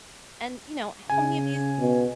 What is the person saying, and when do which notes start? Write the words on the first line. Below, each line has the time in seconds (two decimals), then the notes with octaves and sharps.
and, you know, how many of these
1.10 C#3 G#5
1.79 B2